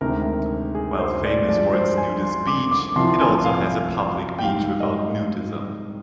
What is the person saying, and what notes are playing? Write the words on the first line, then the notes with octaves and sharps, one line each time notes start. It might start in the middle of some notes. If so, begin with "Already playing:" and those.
While famous for its nudist beach, it also has a public beach without nudism.
D2 C3 D#3 G#3 A#4
G#4
C5
D5
G2 F3 G#3 D5
C5
G#5
C6
D6
D6
C2 C3 F3 C6
G#5
F5
G5
G#2 G3 F5
D#5